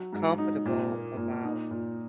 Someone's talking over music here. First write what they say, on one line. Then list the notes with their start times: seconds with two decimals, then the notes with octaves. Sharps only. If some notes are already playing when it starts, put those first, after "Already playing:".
comfortable about,
Already playing: F#3
0.13 G#2
0.38 D#4
0.66 A#2
0.92 A#3
1.17 A#2
1.43 D#4
1.71 A#2